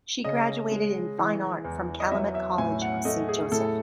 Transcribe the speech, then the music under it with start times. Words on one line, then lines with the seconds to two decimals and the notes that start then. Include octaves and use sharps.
She graduated in Fine Art from Calumet College of Saint Joseph.
0.24 C#3 D#5
0.72 G#3
1.18 E3
1.64 E2
2.00 D#5
2.12 F#3 E5
2.35 E5
2.58 A2 G#5
2.82 F#5
3.05 A3 D#5
3.29 G#4
3.52 A2 A4